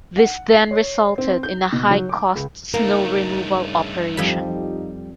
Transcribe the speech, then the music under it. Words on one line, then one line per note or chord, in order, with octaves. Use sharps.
This then resulted in a high cost snow removal operation.
F#5
C7
C#5
C4
G6
B2
F#3
D6
C#2
G2 C#3 A3 A#3 D#4 A#4
F2 G3 D#4 F4 G4 A4 B5